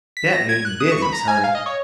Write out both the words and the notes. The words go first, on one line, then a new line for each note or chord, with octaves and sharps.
Dat mean business, honey.
B6
A#6
G#6
F#6
D#6
C#6
B5
A#5
G#5
F5
D#5
C#5